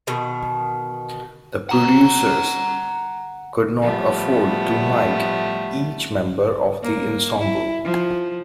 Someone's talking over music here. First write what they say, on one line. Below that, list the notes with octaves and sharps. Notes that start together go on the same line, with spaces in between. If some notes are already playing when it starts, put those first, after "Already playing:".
The producers could not afford to "mike" each member of the ensemble.
B2 D#3
F#5 A#5
A2 F3 G3 A3 B3
A#3
E4
F3